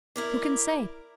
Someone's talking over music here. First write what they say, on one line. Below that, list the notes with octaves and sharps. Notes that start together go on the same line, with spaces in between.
Who can say?
E4 A#4 D5